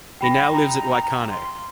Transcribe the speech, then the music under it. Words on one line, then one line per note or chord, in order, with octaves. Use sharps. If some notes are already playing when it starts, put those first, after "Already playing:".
He now lives at Waikanae.
G5 B5 A#6
A#5
C6